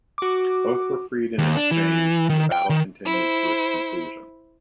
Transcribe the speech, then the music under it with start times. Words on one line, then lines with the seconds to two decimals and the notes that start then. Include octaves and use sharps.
Both were freed in exchange and the battle continued to its conclusion.
0.18 F#4 D6
1.39 D#2
1.57 D4
1.71 E3
2.30 D#3
2.52 G5
2.70 D#3
3.06 E4 C5